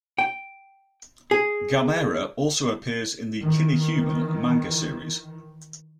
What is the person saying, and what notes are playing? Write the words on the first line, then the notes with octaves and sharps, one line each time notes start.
Gamera also appears in the "Kinnikuman" manga series.
G5
G#4
D#3 E3